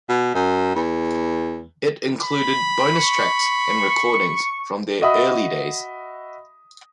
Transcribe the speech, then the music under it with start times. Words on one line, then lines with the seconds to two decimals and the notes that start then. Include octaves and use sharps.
It included bonus tracks and recordings from their early days.
0.09 B2
0.35 F#2
0.75 E2
2.24 B5
2.93 C#6
5.02 F#4 D#5 E5 B5 D#6